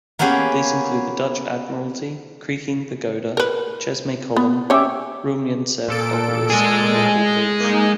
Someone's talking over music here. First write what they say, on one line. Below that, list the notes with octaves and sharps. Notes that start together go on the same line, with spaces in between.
These include the Dutch Admiralty, Creaking Pagoda, Chesme Column, Rumyantsev Obelisk, and Marble Bridge.
A#3 B3 C#4 G4 G#4
A#4 B4
B3
C#4 G4 C#5 E5 D6
A#2 A4 D7
G#3 G#4
A#3 D#4